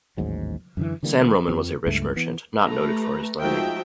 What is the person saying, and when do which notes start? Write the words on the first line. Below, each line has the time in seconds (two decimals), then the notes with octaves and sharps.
San Roman was a rich merchant not noted for his learning.
0.17 A1 D#2 G#2 F#3
0.77 F#2 D3 E3
1.03 D3 E3 G3 A#3
1.48 F2 F3 C4
1.87 C#2 G2 A3
2.16 E3 B3
2.65 A3 G4 B4 A#5
3.40 F3 G#3 D#4 F#4 E5 G5